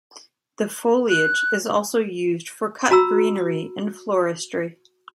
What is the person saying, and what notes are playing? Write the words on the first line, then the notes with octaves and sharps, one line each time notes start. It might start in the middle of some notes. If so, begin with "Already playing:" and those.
The foliage is also used for cut greenery in floristry.
F#6
F#4 A#5 B5 E6